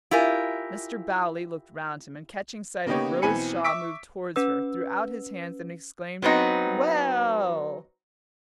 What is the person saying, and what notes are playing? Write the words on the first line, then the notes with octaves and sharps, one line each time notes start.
Mr. Bowley looked round him, and catching sight of Rose Shaw moved towards her, threw out his hands, and exclaimed: "Well!"
E4 F4 G4 A#4 G#5
C#3 A#3 B3 D#4 G4 C#5
B1 E3 C4 G#5 B5 C#7
E5 C#6 D6 E6 B6 D7
C#4 B4 E6
F#3 B3 C4 D#4